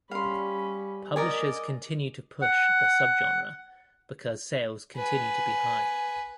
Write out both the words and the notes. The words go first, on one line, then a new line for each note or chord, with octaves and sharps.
Publishers continue to push the subgenre because sales continue to be high.
G3 C#4 F5 B5 C6
A#4 D5 D#5 G#5
F#5
B4 G#5